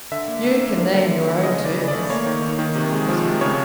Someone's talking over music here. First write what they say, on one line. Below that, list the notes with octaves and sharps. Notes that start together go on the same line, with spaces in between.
"You can name your own terms," said Crosbie.
D3 E5
A#3
D3
A#3
D3
D3
D3
D3
C#3 D#5
A3
D5
E3
D5
A3
A#3 C#5
D#3
D#3
D#3
C3
G#3
F3
C3
C#3 C#5